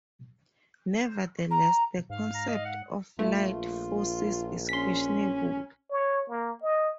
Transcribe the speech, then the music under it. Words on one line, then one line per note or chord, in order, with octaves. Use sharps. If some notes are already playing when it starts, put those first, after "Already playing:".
Nevertheless, the concept of "light" forces is questionable.
A#5
G#2 F5
A#5
D#5
F#5
A#1 A3 F4
C#4 C6 B6
C#5
A#3
D#5